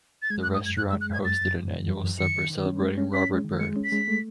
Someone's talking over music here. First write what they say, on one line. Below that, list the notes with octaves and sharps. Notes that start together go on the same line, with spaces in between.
The restaurant hosted an annual supper celebrating Robert Burns.
A6
G#3 G#6
F#6
F#2
D#6
F#2 G#6
F#2 F#6
E6
G#3
F#6
F#2 G#6
F#2 A6
F#2
F#2
E3
F#2
F#2
D#3 C#7
D#3
D#3
C#4
G#3
C#4
C#4 B6
G#3
D#3
G#3 C#7
C#4
B6
G#3
A3